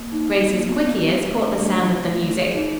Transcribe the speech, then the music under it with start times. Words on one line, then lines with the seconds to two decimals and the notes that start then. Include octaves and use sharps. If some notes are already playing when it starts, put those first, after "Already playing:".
Grace's quick ears caught the sound of the music.
Already playing: A#3
0.12 D#4
0.31 D#4
0.49 A#3
0.68 B3
0.87 B3
1.05 G4
1.24 A3
1.43 D4
1.62 A3
1.80 A3
1.98 A3
2.18 A3
2.36 G#4
2.55 D#4